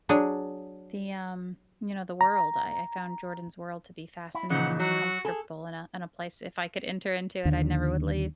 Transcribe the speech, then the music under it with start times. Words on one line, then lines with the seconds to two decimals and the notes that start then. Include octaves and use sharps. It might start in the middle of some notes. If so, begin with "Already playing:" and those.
the, um, you know, the world, I I found Jordan's world to be fascinating and comfortable in a in a place. If I could enter into it, I never would leave,
0.09 F#3 D4 G#4
2.21 A#5
4.35 E4
4.50 A#2 C#3 E3 F3 D#4 F#5
4.80 F#3 F#4
5.25 G#4 A4
7.45 D#2 D3